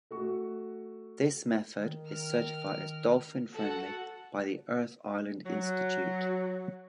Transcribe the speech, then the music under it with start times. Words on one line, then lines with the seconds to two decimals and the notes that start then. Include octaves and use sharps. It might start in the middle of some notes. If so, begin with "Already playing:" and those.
This method is certified as "dolphin friendly" by the Earth Island Institute.
0.11 A3 F#4 C#6
1.77 D#3
2.07 A#4 F6
3.51 F#4 A4 F#5
5.45 F#3